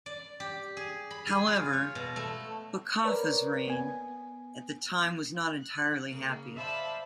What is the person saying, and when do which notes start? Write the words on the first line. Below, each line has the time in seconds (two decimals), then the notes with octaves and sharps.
However, Bakaffa's reign at the time was not entirely happy.
0.06 D5
0.40 G4
0.77 G#4
1.11 B5
1.27 G#4
1.47 F4
1.73 C#5
1.95 B2
2.16 A3
3.04 A#4 B4 C#5 D5
3.67 B3 G#5
5.61 F#6
6.07 C#3 A#3
6.55 C5 D5 E5 F5 A5 B5